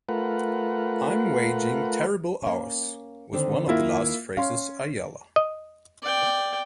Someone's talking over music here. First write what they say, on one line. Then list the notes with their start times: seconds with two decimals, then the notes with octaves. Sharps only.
"I'm waging terrible hours," was one of the last phrases Ayala.
0.09 A3 F4 A#4 B4 F#5
2.42 A#3 C#4
3.33 D3 D#3 C4
3.68 D#2 D#3 A#3 E4 F4
4.37 C#4 F5 C6
5.36 D#5
6.03 D5 G5